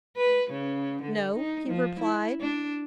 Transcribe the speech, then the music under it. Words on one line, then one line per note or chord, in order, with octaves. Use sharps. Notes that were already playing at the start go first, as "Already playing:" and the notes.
"No," he replied.
B4
C#3
D3
D#4
F3
E4
D4